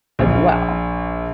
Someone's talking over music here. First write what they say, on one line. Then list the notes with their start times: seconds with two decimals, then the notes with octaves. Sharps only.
as well.
0.19 A#1